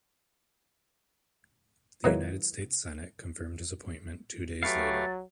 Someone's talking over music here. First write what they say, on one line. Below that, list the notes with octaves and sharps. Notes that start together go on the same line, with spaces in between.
The United States Senate confirmed his appointment two days later.
A#2 D#3 E3 F#3 G#3 A#3
F#3 A3 G4 B4 C#5 F5 A6